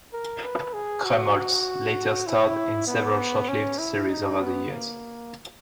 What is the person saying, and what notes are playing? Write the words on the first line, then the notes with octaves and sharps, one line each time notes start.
Krumholtz later starred in several short-lived series over the years.
A#4
B4
G#4
F#4
E4
B3
C#4
E4
D#4
B3
A#3